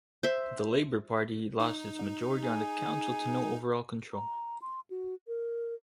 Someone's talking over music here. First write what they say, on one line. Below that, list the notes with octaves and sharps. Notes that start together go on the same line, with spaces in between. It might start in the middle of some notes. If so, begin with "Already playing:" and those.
The Labour party lost its majority on the council to no overall control.
C5 E5
D#4
G#4
A#5
C6
F#4
A#4